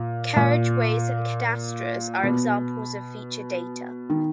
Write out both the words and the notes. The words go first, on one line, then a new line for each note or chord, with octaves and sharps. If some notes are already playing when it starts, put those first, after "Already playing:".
Carriageways and cadastres are examples of feature data.
Already playing: A#2
A#2
B2
D#3